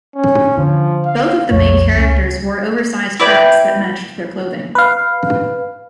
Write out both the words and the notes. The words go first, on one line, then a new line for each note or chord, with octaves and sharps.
Both of the main characters wore oversized hats that matched their clothing.
C#4
D3 F3 D4
F5
B1 F2 A#2 C#5
C#2 C#4
E4 B4 D5 G5
B4 F5